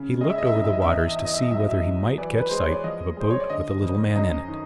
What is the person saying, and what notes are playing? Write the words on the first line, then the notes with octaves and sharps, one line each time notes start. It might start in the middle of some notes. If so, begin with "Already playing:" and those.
He looked over the waters to see whether he might catch sight of a boat with a little man in it.
Already playing: C#3
G#3 D#5
E5
D#5
E5
G#2 D#5
E5
D#5
E5
E2 D#5
E5
D#5
E2 E5
D#5
E5
D#5
F#3 E5
D#5
E5
D#5
F#3
E3 D5
B4
G#3 C5
C#5
D5
F3 D#5
G#3 C5
C#5
D5
D3 D#5
F2
F#2 D#5
D#3